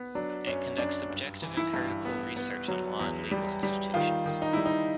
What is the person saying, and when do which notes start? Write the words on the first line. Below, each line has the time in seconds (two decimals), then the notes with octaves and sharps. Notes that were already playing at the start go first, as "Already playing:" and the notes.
It conducts objective empirical research on law and legal institutions.
Already playing: B3
0.15 F#3 D4
0.47 F#2 C#4
0.78 F#2 D4
1.10 G2
1.42 E3
1.57 E4
1.74 G2
2.05 B3
2.36 B3
2.68 F#3
2.99 E2
3.31 G3
3.63 G3
3.94 D#3 F4
4.26 D#3
4.42 D#4
4.53 G3 E4
4.66 D#4